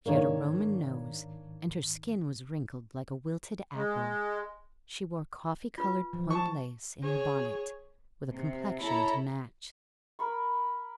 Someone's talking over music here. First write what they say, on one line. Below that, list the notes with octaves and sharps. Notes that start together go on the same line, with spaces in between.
She had a Roman nose, and her skin was wrinkled like a wilted apple; she wore coffee-coloured point-lace in her bonnet, with a complexion to match.
G#2 D#3 A#3 D4 C#5
G#3
F4 B4
F3
A5 C#6
G#4 C#5
C3
E4 A4 C#5 A#5 B5
A#4 B5 C#6